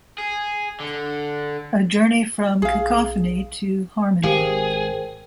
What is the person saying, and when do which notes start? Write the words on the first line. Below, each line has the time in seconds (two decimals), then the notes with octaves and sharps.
A journey from cacophony to harmony.
0.18 G#4
0.80 D3
2.62 B1 G#4 F5
4.23 G#1 G#3 G4 G#4 A#4 C5 F5 G5